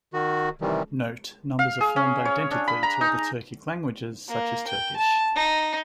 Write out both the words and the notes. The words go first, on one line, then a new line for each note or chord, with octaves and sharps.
Note: Numbers are formed identically to other Turkic languages, such as Turkish.
D#3 F#4
C3 D#3 E3 G3
F5
G#4
C#4
C#5
D4
B5
A#5
D#4
A#3
G5
A5
D#4